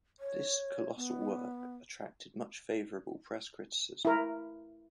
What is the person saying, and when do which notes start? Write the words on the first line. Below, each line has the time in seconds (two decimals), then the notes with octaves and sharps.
This "colossal work" attracted much favourable press criticism.
0.19 C#5
0.96 B3
4.05 E4 A#4